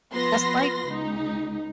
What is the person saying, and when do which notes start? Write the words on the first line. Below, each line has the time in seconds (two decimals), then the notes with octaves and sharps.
just, like,
0.12 F3 B3 F4 B4 C6 A#6
0.87 C#2 D#4